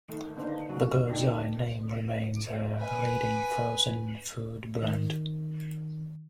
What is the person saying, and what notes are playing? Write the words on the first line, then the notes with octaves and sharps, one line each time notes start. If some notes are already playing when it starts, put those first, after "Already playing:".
The "Birds Eye" name remains a leading frozen-food brand.
D#3 A3
D3 A#3 B3 D4 D#4 C5
C#3 F#3 A#3 F#4
D3 B3 D4 D#4 G4 A4
B4 G#5
D#3